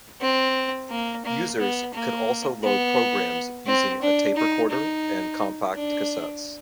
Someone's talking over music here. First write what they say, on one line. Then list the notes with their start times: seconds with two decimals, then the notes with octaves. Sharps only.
Users could also load programs using a tape recorder and compact cassettes.
0.21 C4
0.90 A#3
1.25 A#3
1.59 B3
1.94 A#3
2.64 B3
3.67 C4
4.02 D4
4.36 D#4
4.71 D#4
5.75 D4